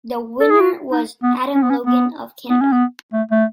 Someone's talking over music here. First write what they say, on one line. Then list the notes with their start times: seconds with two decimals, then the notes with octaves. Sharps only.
The winner was Adam Logan of Canada.
0.40 A4
0.50 G#4
0.60 F#4
0.92 D#4
1.23 B3
1.55 C#4
1.63 B3
1.70 C#4
1.86 B3
2.49 B3
2.61 C#4
2.72 B3
3.13 A3
3.31 A3